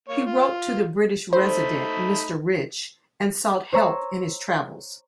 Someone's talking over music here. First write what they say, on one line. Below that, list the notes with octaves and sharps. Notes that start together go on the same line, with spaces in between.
He wrote to the British resident Mr. Rich and sought help in his travels.
A#3 C#5
F4
A3 D#4 C5 B5
C5 C#5 A#5 E6